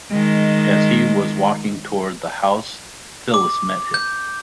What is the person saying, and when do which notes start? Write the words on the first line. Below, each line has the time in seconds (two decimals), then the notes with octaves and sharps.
As he was walking toward the house, Phyllis met him.
0.12 D#3 G#3
3.34 D6
3.94 G6